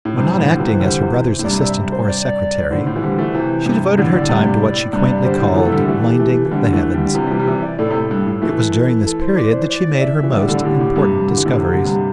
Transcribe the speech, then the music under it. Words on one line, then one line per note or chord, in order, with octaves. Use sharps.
When not acting as her brother's assistant or secretary, she devoted her time to what she quaintly called "minding the heavens." It was during this period that she made her most important discoveries.
A2
G2 C3 C5
A2 D3
G3
C3 E3
D3 G3
C3 E3
A2
G2 C3 D5
E5
C5
D5
A2 D3 C5
A2
E3
D3 G3
E3 A3
C3 E3
G2 C3
A2 D3 D5
D3
G2 C3
A2
G2 C3
D3 G3 C5
A2 D3
C3 E3 A4
A3
D3 G3
E3 A3 G4
E3 A3
E3
D3 G3 D4
C4
D4
E3 A3
D3 G3
G3
C3 E3 C4
G3
C3 E3 D4
G3
C3 E3 E5
D5
A2 A4
C3
A2
G2
A2
E3 A3
A4
C5
D5
C5
D5
E5
E3
D3 G3 D5
A2 D3 A4
A2 D3 G4
A2 G4
G2 C3
D3
E3
A2 D3
C3
D3
G2 C3